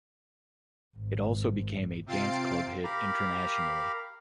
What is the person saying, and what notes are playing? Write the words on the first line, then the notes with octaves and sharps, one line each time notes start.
It also became a dance-club hit internationally.
G#1
C3 C4 F4 A6 C7 D7
G4 A#4 F5 A#5 B5